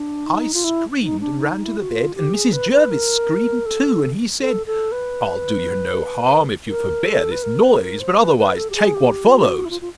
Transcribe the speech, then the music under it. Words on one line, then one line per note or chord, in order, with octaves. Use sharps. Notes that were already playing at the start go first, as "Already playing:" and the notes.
I screamed, and ran to the bed, and Mrs. Jervis screamed too; and he said, I'll do you no harm, if you forbear this noise; but otherwise take what follows.
Already playing: D4
D#4
F4
E4
D#4
D4
D#4
E4
F#4
F4
G4
G#4
B4
B4
A#4
A4
A4
A4
B4
A#4
A4
B4
A#4
B4
A#4
C5
B4
B4
A4
G4
G#4
G4
F4
F#4
E4
F4
F4